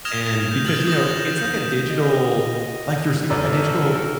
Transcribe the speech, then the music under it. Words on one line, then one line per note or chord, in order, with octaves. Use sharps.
and because, you know, it's like a digital, like you were saying, a digital
D#6 F6 G#6 A#6 E7 F7
G6
F6 A6 F#7
D#6 A#6 E7
G6
D#5
G1 A4 A#4 D5 A#5